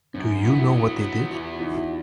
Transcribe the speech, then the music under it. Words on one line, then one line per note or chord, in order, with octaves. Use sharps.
Do you know what they did?
F#2 C4 D4
B3 D4 E4
E4 F#4
F#3
B3
F4
E2 E4 F#4
F4 G4
E4
E2 D#4 F4
E4 F#4